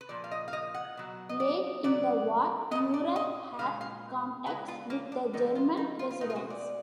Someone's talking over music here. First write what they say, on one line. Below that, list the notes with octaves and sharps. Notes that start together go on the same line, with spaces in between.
Late in the war, Neurath had contacts with the German resistance.
B4
A#2 F3 D5
F5
D#5
F5
D#5
F#5
B2 F#3
D#5
D5
B2 F#3 D5
F#3 D#5
A#2
D5
D#5
A#2 G#3 F5
F5
D3 G#3 B4
F4
A#3
D4
D3 F3 G#3 D#4
F4
D#4
F4
F4
B2 G#3 D#4
F4
F#4
D5